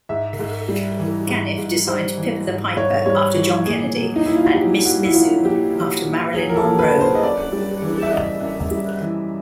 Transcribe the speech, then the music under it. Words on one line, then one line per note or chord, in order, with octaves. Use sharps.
Caniff designed Pipper the Piper after John Kennedy and Miss Mizzou after Marilyn Monroe.
G#2 E5
G#2
G3
E3
G#2
G#2
G3 C5
E3
G#2
G#2 C#5
G3 C#5
E3
A#2 G#4
F#3
D#4
A#2 E4
F4
F#4
F#3 G4
A#2 F#4
E4
F#3 F4
A#2 G4
F#3
A#2
F#3 G#4
A#4
A4
A#2
B4
F#3
C5
D#5
F#2 D5
G3
E3
E5
C#3 D#5
F#2
G3
E3